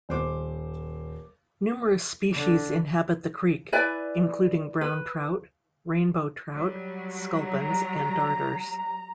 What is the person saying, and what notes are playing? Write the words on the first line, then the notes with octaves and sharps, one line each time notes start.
Numerous species inhabit the Creek including brown trout, rainbow trout, scuplins and darters.
D#1 C5 D6
D3
E4 B4 D5 G#5
B4
F#3 G3
A#5